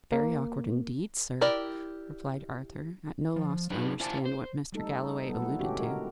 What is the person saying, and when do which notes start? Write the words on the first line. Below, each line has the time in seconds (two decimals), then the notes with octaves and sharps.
"Very awkward, indeed, sir," replied Arthur, at no loss to understand what Mr. Galloway alluded to.
0.12 A#3
1.41 E4 G4 A#4 D5
3.36 F3
3.70 F#3 D4 D#4 G#4 B4
4.00 E4 F4 C5 D5 G#5 A5
4.25 C5
4.72 G3 A3 C4 D#4 A4
5.28 B2 F#3 B3 A4
5.42 A3 E4
5.59 A#2 D3 G#3 C#4 F#4 G4
5.80 A#4